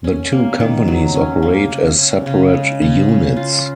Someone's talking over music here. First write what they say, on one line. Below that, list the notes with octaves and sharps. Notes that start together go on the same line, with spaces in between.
The two companies operate as separate units.
C#4
A#3
D#3
F#3
C#4
A#3
C#3
C#4
C#3
G#3
C#3
C#4
F4